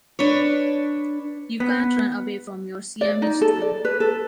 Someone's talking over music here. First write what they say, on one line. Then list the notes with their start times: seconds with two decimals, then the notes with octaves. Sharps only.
You can’t run away from your Siamese twin.
0.19 D4 B4 C#5
1.60 B3
3.01 D5
3.22 D#4
3.41 A4
3.62 D5
3.85 B4
4.00 A4